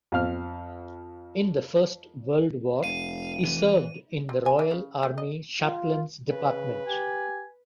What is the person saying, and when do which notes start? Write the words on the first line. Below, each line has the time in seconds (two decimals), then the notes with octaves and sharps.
In the First World War he served in the Royal Army Chaplains Department.
0.12 F2 C4 F5 F6
2.84 F1 F5 D#7
3.45 E3
4.29 C4
4.46 G#5
4.59 E3
4.71 C#3
5.03 A3
5.18 D#5
5.61 F4
6.28 C#3 B4
6.87 G4 G#5